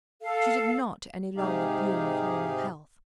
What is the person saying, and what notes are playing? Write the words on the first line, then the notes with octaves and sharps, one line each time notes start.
She did not any longer bloom with normal health.
A4 F5
G#2 C3 D#4 G4 G#4 F5